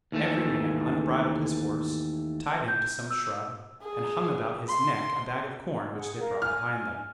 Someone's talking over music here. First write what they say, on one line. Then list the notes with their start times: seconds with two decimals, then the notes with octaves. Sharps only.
Every man unbridled his horse, tied him to some shrub, and hung about his neck a bag of corn which they brought behind them.
0.12 D#2 E3 A3
2.68 G6
3.11 E6
3.82 G#4
4.68 C6
5.94 G#4 F#5
6.20 A#4 F5
6.42 G#5 F6